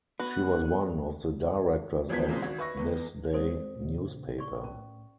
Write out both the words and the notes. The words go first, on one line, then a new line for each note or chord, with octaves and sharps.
She was one of the directors of Thisday Newspaper.
B3 F#4 B4 F#6
G#1 E2 F3 B3 G#6 B6
A#2 C#3 E3 F3 G#3 C4
G#1 F#4
B4 E5 C#6 A#6
E2 B3
G#3 C4 A4 C5 D5
A#2 C#3
D5 C#6
A2 C#4